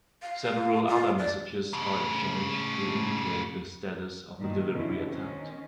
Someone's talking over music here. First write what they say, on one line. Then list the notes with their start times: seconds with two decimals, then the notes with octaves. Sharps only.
Several other messages are exchanged to indicate the status of the delivery attempt.
0.23 F5
0.88 F4
1.19 D5
1.73 A2 C#3
4.38 G2 A#2 D#3
4.72 B2 D3 C#4 E4
5.06 D#3 C4 C#4